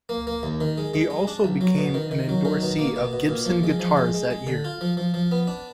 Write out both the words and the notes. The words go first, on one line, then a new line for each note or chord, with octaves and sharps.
He also became an endorsee of Gibson Guitars that year.
A#3
A#3
D#2
D#3
G#3
G#3
G#3
D4
B1
F#3
B2
D#3
D#3
F#3
D#3
B2
A#3
B2
B2
A#2
F3
G#3
F3
G#3
G#3
G#3
D3
F4
F3
F3
F3
B3
D4